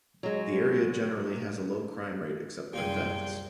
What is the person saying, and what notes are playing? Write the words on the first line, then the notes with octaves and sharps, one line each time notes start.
The area generally has a low crime rate except for thefts.
F#3 G#3
C2 F#2 A#2 C4 G4 G#4 G5 C6